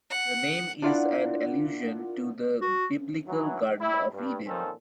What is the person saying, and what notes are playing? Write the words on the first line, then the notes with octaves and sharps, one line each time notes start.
The name is an allusion to the biblical Garden of Eden.
F#5
D4 E4 F4 A#4 D5 F#5
F#4
E3 F#3
G3 E4
G2
A#2 D#3 F3 C4 C#4 A4